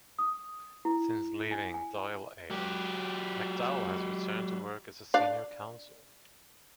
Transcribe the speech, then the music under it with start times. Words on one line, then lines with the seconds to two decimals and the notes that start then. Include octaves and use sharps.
Since leaving Dáil Éireann, McDowell has returned to work as a Senior Counsel.
0.19 D#6
0.85 E4
1.51 G#5
1.74 G#5
2.50 F#3 G4
5.14 D4 D5 F5